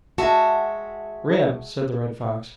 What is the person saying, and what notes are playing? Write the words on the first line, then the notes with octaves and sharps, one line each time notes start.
"Rim," said the Red Fox.
G#3 F#4 E5 A5